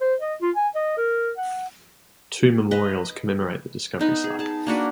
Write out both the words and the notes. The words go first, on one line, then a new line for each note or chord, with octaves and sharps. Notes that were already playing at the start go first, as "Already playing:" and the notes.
Two memorials commemorate the discovery site.
C5
D#5
F4
G#5
D#5
A#4
F#5
B4 D#5
B3 D#4 B4
G#4
G#4 A5
A#3 D4 F#4 B4